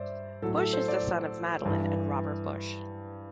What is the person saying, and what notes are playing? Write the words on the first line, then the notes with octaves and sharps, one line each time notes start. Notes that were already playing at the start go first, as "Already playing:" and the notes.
Busch is the son of Madeline and Robert Busch.
Already playing: G2 C5 D5 E5
A2 F#3 A4
A4
C5
D5
G2 E3